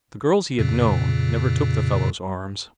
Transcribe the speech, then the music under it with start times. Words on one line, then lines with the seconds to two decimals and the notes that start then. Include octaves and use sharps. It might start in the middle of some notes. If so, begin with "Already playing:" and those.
The girls he had known never took the fellows' arms.
0.59 F2 A#2 C#3